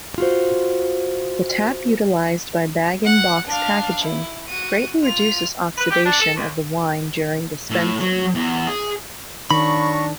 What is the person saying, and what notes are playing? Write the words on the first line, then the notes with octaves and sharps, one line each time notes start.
The tap utilised by bag-in-box packaging greatly reduces oxidation of the wine during dispensing.
F4 F#4 C5
F#5
D4 F5
E4
F#4 D#7
F4 F7
B4
G4
D4
A4
D2
A2
F#3
E2
G#4
D#3 F#3 D4 A#5 B5 C#6